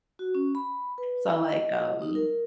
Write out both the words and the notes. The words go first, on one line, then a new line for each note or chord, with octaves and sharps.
So, like, um
F#4
C#4
B5
B4
E4
D#5
D#4
A#4